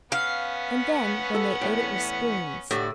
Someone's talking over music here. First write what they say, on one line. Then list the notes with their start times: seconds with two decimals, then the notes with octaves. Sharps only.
And then when they ate it with spoons!
0.12 B3 C#4 F5 F#5
1.35 A4
1.61 E2 A2 G5
2.71 A2 D3 F#4 G4